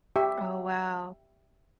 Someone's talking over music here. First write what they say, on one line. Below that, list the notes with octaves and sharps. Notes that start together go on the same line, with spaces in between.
Oh, wow.
G4 E5